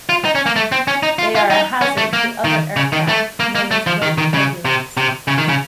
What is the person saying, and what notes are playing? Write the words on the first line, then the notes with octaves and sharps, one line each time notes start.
They are a hazard to other aircraft, known as wake turbulence.
F4
D#4
C#4
A#3
A3
C4
C#4
D#4
F4
F4
D#4
C#4
A3
A#3
D#3
C#3
D#3
A3
A#3
A#3
A3
F3
D#3
D#3
C#3
C3
C3
C#3
D#3
C#3